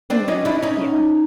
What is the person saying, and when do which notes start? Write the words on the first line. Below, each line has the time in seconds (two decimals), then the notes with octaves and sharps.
Mhm, yeah.
0.10 C4 D4
0.28 C#4 D#4
0.45 D4 E4
0.62 C#4 D#4